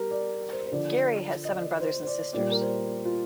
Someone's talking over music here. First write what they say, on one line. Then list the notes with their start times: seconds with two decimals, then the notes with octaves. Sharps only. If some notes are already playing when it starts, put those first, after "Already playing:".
Geary has seven brothers and sisters.
Already playing: G3 G4 A#4
0.11 D5
0.52 C5
0.66 C5
0.72 D3 F3 D5
1.45 D#5
1.52 D5
1.80 C5
2.03 C5
2.07 D5
2.33 A#2 G3 D5
2.52 A#4
2.61 C5
3.05 F4